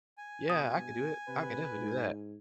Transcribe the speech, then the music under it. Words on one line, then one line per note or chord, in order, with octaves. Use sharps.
"Yeah, I could do it, I can definitely do that."
G#5
G2 B2 D#6
C3 B4
G#2